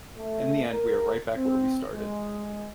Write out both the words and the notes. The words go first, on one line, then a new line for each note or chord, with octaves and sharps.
In the end, we are right back where we started.
A3
A#4
C4
G#3